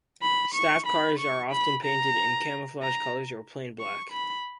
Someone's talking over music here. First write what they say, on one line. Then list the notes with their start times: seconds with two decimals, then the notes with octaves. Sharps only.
Staff cars are often painted in camouflage colours, or plain black.
0.22 B5
0.54 C#6
0.87 B5
1.19 C#6
1.52 B5
1.84 A#5
2.82 A#5
3.80 C#6
4.12 B5